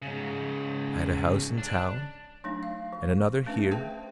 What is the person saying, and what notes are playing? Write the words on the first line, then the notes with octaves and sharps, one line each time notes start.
I had a house in town and another here.
G#2 C#3
D4
F#3 A3 D4 D#4
F5
F3
A3 C#4 D4 B4 E5
G#4 B4 C5 E5 G5 A5